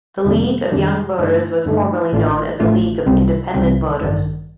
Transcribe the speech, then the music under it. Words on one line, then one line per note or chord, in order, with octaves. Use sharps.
The League of Young Voters was formerly known as the League of Independent Voters.
F2 C3 D#3 G3 D4
F2 C3 D#3 G3 D4
G2 D3 A3 D#4
G2 D3 A3 D#4
A1 A2 A3 D4 F4
A1 A2 A3 D4 F4
C2 C3 G3 C4
C2 C3 G3 C4
A1 G2 D#3